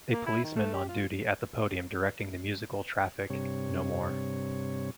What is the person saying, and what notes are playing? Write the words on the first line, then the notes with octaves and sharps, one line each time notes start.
A policeman on duty at the podium directing the musical traffic, no more.
A#3
E4
D#3
A3
G4
F4
G2 C3 C#5